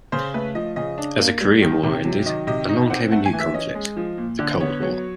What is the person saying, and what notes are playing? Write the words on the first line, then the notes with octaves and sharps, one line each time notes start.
As the Korean War ended, along came a new conflict - the Cold War.
C#3 C5
A3 B4
F3 D#5
C#3 D#5
D4
A#3
G3
D#3
C3
F#3
D#3 D#5
C3 D#5
D#4 D#5
C4 F#5
A3 F#5
G#5
E3
E5
C#4 D#5
G#3
F3
A#2
D3 D5
B3 C#5
F#3 C#5